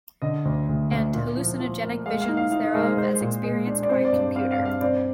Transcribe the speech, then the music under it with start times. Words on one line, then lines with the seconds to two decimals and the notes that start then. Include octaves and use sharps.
And hallucinogenic visions thereof as experienced by a computer.
0.22 D3 D#5
0.45 D2
0.69 D2
0.91 D2
1.14 A#2
1.37 F3
1.60 F3
1.83 A#3
2.06 G#3 F5
2.22 F5
2.28 D#4
2.37 F5
2.52 D#4 F5
2.64 D#5
2.74 G#3 A#4
2.86 C5
2.97 G#3 C5
3.21 A#2
3.44 G#3
3.67 D4
3.83 D5
3.89 C4 C5
4.05 D5
4.13 G2
4.35 C4 F5
4.51 F5
4.59 G2
4.66 F5
4.81 C4 D5